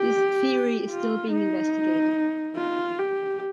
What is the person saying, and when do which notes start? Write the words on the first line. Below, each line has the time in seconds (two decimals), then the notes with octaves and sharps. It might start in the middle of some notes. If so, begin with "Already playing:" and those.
This theory is still being investigated.
Already playing: G4
0.91 F4
1.32 D#4
2.57 F4
2.99 G4